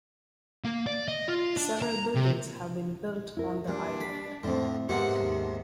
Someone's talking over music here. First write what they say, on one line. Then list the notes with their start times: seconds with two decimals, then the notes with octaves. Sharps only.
Several buildings have been built on the island.
0.64 A#3
0.87 D5
1.08 D#5
1.28 F4
1.57 D4
1.82 A#5
2.15 C3
3.37 E4 A#4
3.68 A#2 G3 D4
4.00 B5
4.43 F2 A2 D3 C4
4.89 G#2 C3 A#3 B3 G4 F#5
5.20 D#2